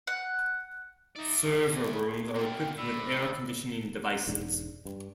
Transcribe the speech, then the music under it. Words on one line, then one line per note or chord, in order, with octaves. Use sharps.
Server rooms are equipped with air conditioning devices.
F#5
D#4 D5 E5
G#4
B2 A#3 G5
A2 D5 B5 E6
E1 G#2 D4
G2